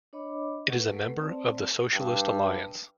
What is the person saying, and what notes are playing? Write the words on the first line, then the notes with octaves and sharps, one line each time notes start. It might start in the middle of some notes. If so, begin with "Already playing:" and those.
It is a member of the Socialist Alliance.
D4 C#5 D#5 B5 D6
A3 A4 B4 F#5 C#6
C4 C5 D5 A5
G2